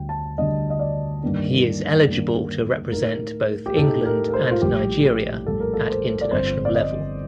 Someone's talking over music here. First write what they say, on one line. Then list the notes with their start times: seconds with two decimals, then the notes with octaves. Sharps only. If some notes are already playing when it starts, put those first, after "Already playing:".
He is eligible to represent both England and Nigeria at international level.
Already playing: D2 D3 G3 D4 G5
0.09 A5
0.38 D2 D3 G3 D4 D#5
0.70 D#5
0.79 D5
1.23 G2 D#3 A#3 D4
2.08 G2 D#3 A#3 D4
2.92 A2 A3 D#4 A#4
3.66 G4
3.77 A2 A3 D#4 A4
4.06 A#4
4.28 A#4
4.34 C5
4.51 F4
4.62 A#1 A2 G3 G4
5.46 A#1 A2 G3 A4
5.60 A#4
5.73 A4
5.90 C5
6.21 D5
6.31 G1 G2 F3 C4 C5
6.65 D5
6.75 D#5